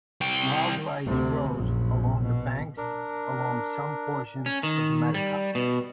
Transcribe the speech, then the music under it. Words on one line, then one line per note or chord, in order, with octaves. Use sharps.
Wild rice grows along the banks along some portions of the Metedeconk.
C2 G5
D2 C3
A#1 F#2
B2
D4 A#4
C#4
D#3
G3
B2